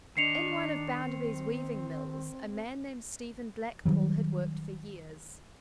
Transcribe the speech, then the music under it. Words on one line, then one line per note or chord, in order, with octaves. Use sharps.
In one of Bounderby's weaving mills a man named Stephen Blackpool had worked for years.
D#3 D4 D#5 C7 C#7 F7
C4
D#3 F#3 G3